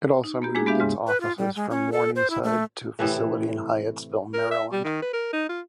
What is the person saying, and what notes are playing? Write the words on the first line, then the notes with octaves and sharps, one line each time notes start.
It also moved its offices from Morningside to a facility in Hyattsville, Maryland.
D#4
A#3 B3 G4
G#3 A#3 D4 E4 F#4 G#4
G#3 B3 D4 G4 E5 F5
D#2 G#2 C#3 G#3
B4
F4
G3
G#3
C#4
A4
C5
E4
A3
A2 C3 E3 A3
A#4
E5
G3
D#3
B4
A#4
D#4
F4